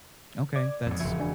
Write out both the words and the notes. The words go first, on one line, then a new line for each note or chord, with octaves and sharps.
Okay, that's
D5 D6 G#6
F2 G#2
E1 C#3 F3 E5 G#6
D4 G#5